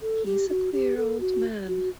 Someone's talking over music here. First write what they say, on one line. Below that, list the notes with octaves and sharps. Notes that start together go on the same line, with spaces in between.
He's a queer old man.
A4
G4
F#4
G4
A4
F#4
F#4